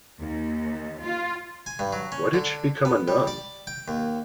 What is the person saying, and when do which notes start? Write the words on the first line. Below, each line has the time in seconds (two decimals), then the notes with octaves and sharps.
Why did she become a nun?
0.20 D#2
1.03 F4
1.66 G#5
1.79 G2
1.93 F#3
2.12 C#4
2.33 D3
2.85 B3
3.08 G3
3.27 D5
3.67 G5
3.88 D#2